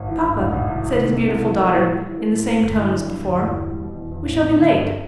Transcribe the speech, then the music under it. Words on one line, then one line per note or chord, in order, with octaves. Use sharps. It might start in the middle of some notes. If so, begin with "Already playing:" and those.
"Papa," said his beautiful daughter in the same tone as before, "we shall be late."
Already playing: G#1
E3
G2
G#1
G#1
C2
C2
D#3
C3
C2
C2
A#3
A2
G3
E3
A#3
A2
G#3
G1
E3
G2
G#3
G1
E2
E2
G3
B2
E2
E2
A1
A1
D3
G2